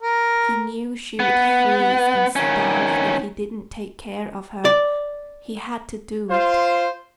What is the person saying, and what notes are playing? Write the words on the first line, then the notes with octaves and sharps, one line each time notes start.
He knew she would freeze and starve if he didn't take care of her; he HAD to do it.
A#4
B3
D#3 C#4
D5
F4 C5